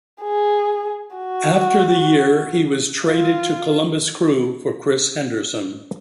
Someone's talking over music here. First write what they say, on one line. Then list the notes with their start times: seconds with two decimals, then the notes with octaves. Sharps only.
After the year, he was traded to Columbus Crew for Chris Henderson.
0.22 G#4
1.16 F#4
3.06 F4